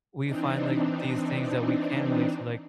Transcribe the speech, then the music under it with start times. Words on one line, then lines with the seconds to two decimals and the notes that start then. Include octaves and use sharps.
we find, like, these things that we can relate to, like
0.24 E3 C4 D4 D#4